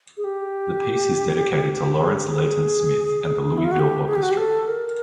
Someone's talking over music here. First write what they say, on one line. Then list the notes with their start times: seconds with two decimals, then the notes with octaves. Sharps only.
The piece is dedicated to Lawrence Leighton Smith and the Louisville Orchestra.
0.17 G#4
0.24 G4
2.01 G#4
2.15 G4
2.28 G#4
3.58 E4
3.65 F4
3.72 F#4
3.79 G4
4.08 G#4
4.15 G4
4.23 F#4
4.31 G4
4.38 A4
4.67 A#4